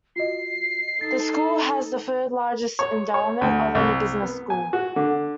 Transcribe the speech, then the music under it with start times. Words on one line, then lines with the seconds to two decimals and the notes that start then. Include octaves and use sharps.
The school has the third-largest endowment of any business school.
0.16 F4 F#4 D#5 C7
1.01 D#4 A4 A6
2.79 C#5
3.14 C#5
3.41 D2
3.75 C2
4.22 B3
4.50 G#5
4.73 F#4
4.96 D3